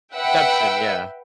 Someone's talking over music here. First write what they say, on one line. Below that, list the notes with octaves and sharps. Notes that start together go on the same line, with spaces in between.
Inception. Yeah.
B4 E5 F#5 G5 B5 E6